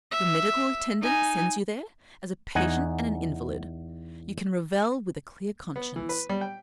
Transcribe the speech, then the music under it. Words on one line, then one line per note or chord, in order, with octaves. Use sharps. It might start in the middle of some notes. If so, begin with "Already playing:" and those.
Your medical attendant sends you there; as a patient and an invalid, you can revel with a clear conscience.
E5
D#4 G#5
E2 D#4 F#5 G#5
B3
E3
B4
G3
G5